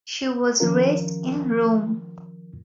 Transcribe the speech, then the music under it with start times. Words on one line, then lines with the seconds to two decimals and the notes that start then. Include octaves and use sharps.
She was raised in Rome.
0.60 D#3 F3 C#4 F4 A#4